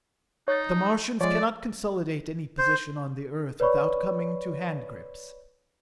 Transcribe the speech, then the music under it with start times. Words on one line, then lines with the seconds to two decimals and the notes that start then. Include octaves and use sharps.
But the Martians cannot consolidate any position on the Earth without coming to handgrips.
0.48 D#4 C#5 F#6 A6
1.21 F3 G#3 C#5 D5
2.58 C5
3.60 B4 C#5 D5 B5 C#6